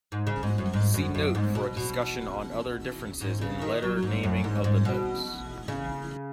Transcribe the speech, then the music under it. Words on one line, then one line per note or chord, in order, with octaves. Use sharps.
See note for a discussion on other differences in letter naming of the notes.
G#2
C#3
G#2
F#2
G#2
F#2
F#2
G#2
B2
B2
G#2
C#3
D#3
F#3
G#2
F#2
G#2
G#2
B2
C#3